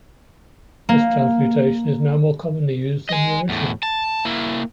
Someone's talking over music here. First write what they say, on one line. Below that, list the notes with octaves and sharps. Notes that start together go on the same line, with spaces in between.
This transmutation is now more commonly used than the original.
A#3
D#5 G#5
E2 A2
A5
A#3 E4